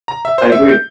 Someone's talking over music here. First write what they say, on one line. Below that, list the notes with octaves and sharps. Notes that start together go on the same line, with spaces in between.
I agree.
A#5
E5
C5
E5
G6